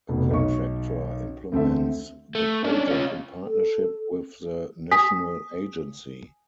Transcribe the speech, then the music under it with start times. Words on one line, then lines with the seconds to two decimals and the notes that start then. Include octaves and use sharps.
A contractor implements the project in partnership with the national agency.
0.09 F1 B2
0.31 B1 D#4 C#6
1.52 D2 C4 A4 E5
2.35 A3
2.64 C#4 D4
2.87 C#4 F4
3.46 A4
4.91 G#5 D#6 B6